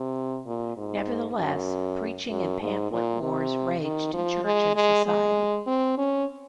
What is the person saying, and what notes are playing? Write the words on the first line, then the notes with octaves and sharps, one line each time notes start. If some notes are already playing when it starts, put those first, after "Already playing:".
Nevertheless, preaching and pamphlet wars raged in church and society.
Already playing: C3
A#2
G#2
F#2
F#2
G#2
A#2
C3
D#3
F3
G#3
G#3
G#3
C4
C#4